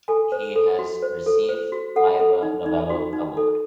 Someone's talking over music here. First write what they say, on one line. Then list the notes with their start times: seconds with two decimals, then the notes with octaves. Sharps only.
He has received Ivor Novello Award.
0.08 A4 G#5
0.32 C5
0.56 A4
0.79 F#4
1.02 C5
1.26 A4
1.49 C5
1.72 F#4
1.96 A4 F#5
2.19 A4
2.43 D#4
2.66 D#4
2.90 F#4
3.13 D#4
3.37 A4